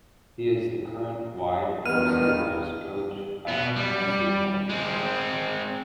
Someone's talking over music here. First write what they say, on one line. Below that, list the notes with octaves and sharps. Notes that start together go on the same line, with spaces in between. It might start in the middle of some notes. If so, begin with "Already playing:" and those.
He is the current wide receivers coach at the Tennessee Titans.
E2 G2 D#3 B3 F6 D#7
B2 B3
G3
G#3 C4